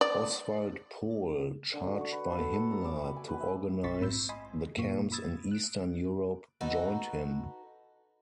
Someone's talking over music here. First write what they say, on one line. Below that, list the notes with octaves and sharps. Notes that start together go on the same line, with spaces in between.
Oswald Pohl, charged by Himmler to organize the camps in Eastern Europe joined him.
D5
D3
F#4
C#6
B4
A4
A4
A#5
D6
B5
G#5
B4
E5
A#1 F4 C6 C#6 A6 B6
G#2 C4 B5 E6 G6
D#5 G#5 B5 C6 D#6
F#2 A#2 A#3 F4 C#6 D#7
B5 D#6 E6 G#6 A6
F#6 D7
D#4 F#4 A4 B4